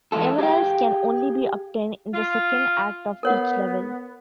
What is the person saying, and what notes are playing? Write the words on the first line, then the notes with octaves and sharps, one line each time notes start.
Emeralds can only be obtained in the second act of each level.
E3 G#3 E4 F4 A4
G4 G#4 C#5 F5 G5
F4
B3 A#4 C#5 F#5